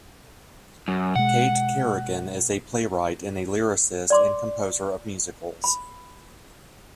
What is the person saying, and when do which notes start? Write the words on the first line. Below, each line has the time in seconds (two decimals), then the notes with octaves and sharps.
Kait Kerrigan is a playwright and a lyricist and composer of musicals.
0.88 F#2
1.16 B2 G#3 F#5
4.10 D5 C6 D6
5.64 B5